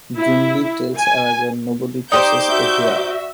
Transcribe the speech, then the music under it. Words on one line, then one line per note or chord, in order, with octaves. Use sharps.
Gimli tells Aragorn, Nobody tosses a dwarf!
E4
G#5
D#4 G4 C5 D5 D6 G6
F#4 E5